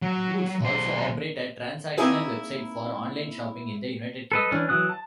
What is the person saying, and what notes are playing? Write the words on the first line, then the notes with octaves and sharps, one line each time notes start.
Boots also operate a transactional website for online shopping in the United Kingdom.
F#3
B1 C5
A#3 C4 D#4 E4 G#4 B4
A4 B4 D#5
E3 C#4 D4
E3 F#3 D#6 F#6
A5